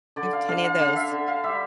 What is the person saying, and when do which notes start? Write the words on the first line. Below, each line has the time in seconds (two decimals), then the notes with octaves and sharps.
I have plenty of those.
0.16 D3 D5
0.33 F5
0.48 D3 F5
0.64 F5
0.80 D3 F5
0.96 E5
1.12 D3
1.28 F5
1.44 G3 E5